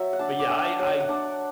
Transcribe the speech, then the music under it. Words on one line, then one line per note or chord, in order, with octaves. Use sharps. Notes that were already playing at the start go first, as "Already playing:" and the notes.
but, yeah, I I
Already playing: F#3 E5
F#5
D4 A5
D5
D4 E5
F#3 F#5
F#5
D4 A5